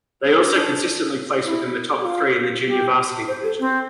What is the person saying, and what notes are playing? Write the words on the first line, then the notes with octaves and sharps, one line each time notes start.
They also consistently place within the top three in the Junior Varsity division.
D4
E4
G4
F4
G4
C5
A4
C4